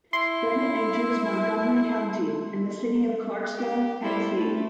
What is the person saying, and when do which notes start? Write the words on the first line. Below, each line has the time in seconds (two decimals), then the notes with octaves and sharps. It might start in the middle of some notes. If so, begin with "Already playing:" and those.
Then it enters Montgomery County and the city of Clarksville, Tennessee.
0.13 E4 C6
3.57 G4
4.02 G3 E4 C5
4.36 A3